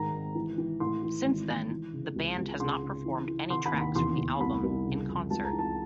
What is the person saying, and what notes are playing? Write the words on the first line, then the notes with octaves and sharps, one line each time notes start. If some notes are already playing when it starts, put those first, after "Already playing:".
Since then, the band has not performed any tracks from the album in concert.
Already playing: G#2 D#3 A#5
G#1
E3
E3
A2 C6
E3
G#1
E3
E3
C#3
C#2
C#2
C#3 C6
C#3
E3
E3
D#3 C6
B5
D#2
B5
E2 C6
E2
C2 B5
C2
C#3
F2
C#2 A5
A#5
E3
A5